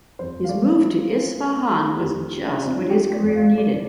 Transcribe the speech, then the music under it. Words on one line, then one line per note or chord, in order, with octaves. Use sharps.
His move to Isfahan was just what his career needed.
F2 C5
F5
A3 D5
F3 F4
F3
A3
A3
F2 G4
F3
D4
F3 C4
D4
F4
F3 G4
D5
F2
D5
F5
F3
D5